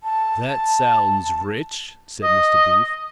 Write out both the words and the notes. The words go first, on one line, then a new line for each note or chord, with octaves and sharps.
"That sounds rich," said Mr. Brief.
A5
D#5